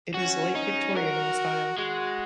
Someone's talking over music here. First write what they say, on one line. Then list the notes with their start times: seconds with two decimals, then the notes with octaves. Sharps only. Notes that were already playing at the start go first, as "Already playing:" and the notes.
It is Late Victorian in style.
0.14 C#4 F#4
0.55 D#4
0.96 F#4 A#4
1.78 G#3 F#4